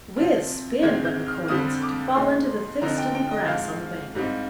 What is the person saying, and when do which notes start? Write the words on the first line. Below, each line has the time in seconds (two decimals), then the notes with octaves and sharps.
Whiz--spin--went the coins, to fall into the thick stubby grass on the bank.
0.16 C3 F3 C4
0.82 G#2 D#3 G#3 C4 G#6
1.05 G6
1.27 F6
1.48 F2 D3 G3 C4 D#6
1.82 D6
2.15 A#2 G#3 D#4 C6
2.81 D3 F3 C4 D#4 A#5
2.98 G5
3.15 G5
3.31 D#5
3.48 G#2 F3 G#3 F5
4.15 G#2 G3 C4 D#4